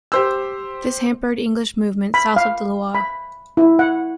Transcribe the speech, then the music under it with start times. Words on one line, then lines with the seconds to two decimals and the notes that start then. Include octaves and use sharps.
This hampered English movement south of the Loire.
0.12 G4 C5 E6
2.14 B5
2.36 F5
2.95 B5
3.57 E4
3.79 F#5